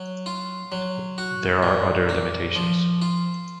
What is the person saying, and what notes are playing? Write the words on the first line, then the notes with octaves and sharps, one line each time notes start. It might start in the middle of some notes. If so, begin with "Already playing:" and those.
There are other limitations.
Already playing: F#3
F4
F#3
F#4
A#2
A#3
F3
F4